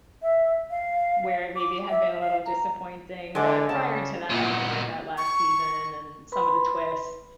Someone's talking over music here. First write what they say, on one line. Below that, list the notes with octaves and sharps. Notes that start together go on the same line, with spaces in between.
where it maybe had been a little disappointing, but prior to that, I enjoyed that last season and some of the twists,
E5
F5
D6
E5
F5
A#5
D3 G#3 D5
C#3 A5
A#2 B3
C#6
B4 B5 C6